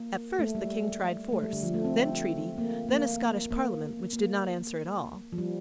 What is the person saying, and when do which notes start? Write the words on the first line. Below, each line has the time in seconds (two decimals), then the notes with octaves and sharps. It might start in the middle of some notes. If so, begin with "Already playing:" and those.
At first the King tried force, then treaty, then a Scottish Parliament which did not answer at all.
Already playing: A#3
0.39 A3
0.55 G3
1.32 A3
1.43 G3
1.53 D3
1.63 F3
1.74 A3
1.85 C4
2.58 A#3
2.89 A#3
3.51 A#3
4.13 A#3
5.32 F3
5.38 G3